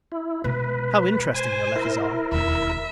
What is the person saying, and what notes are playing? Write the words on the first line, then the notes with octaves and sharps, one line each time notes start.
How interesting your letters are!
E4
B2 G#3 B4
C5 G#5
E4 A#4
E1 D#2 E5